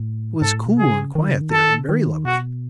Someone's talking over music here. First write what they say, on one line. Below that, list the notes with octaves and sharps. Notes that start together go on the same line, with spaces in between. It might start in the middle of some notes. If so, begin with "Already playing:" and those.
It was cool and quiet there, and very lovely.
Already playing: A2
G#2 A4
A2
B2
C#3 G#4
D#3
C#3
D#3
A4
C#3
D#3
B2 F#4